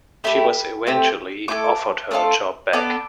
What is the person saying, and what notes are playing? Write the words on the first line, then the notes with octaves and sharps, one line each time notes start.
She was eventually offered her job back.
A3 E4 G4 B5
A3 C4 G4
A3 E4 A4 D6
A3 D4 F4 A4
B3 D4 A4 D6